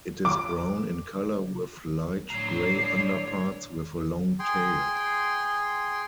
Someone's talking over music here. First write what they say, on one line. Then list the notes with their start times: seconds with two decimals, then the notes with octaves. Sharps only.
It is brown in colour with light grey underparts with a long tail.
0.25 D6
2.30 A2 D3 C#5 A#5 C7
4.39 G#4 G5 C6